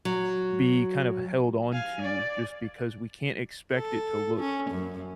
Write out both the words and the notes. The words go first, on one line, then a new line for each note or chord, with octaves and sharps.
be kind of held onto just because we can't expect it to look
F#3
F5 G#5
D5
A4
C#4
F#2